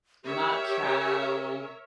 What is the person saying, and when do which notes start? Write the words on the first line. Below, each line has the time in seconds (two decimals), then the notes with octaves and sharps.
mock trial,
0.24 G4 A#4 C#5 E5